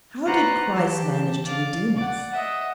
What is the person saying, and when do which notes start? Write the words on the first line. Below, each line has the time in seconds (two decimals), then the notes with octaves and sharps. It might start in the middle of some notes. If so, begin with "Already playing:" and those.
How did Christ manage to redeem us?
0.25 F#4 B4 C5 D5 F#5 A#5
0.73 E3 G4 A5
1.44 D5 F5
1.97 D5 F#5
2.32 D#5 E5 F#5